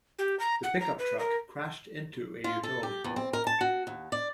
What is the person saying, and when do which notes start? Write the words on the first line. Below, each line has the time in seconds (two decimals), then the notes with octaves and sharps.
The pickup truck crashed into a utility pole.
0.19 G4
0.40 A#5
0.64 F#5
0.80 A#5
0.99 B4
1.19 A#4
2.44 F4
2.63 A4
2.83 G4
3.04 E2
3.16 C4
3.33 A#4
3.47 A5
3.61 F#4
3.87 D#2
4.12 D5